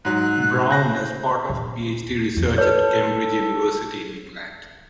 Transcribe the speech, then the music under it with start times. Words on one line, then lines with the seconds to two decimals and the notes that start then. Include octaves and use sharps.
Brown as part of PhD research at Cambridge University in England.
0.05 G#2 F#3 F#6
0.71 C5 F#6 A#6
1.49 D#1
2.35 F2 E3
2.58 A4 B4 C#5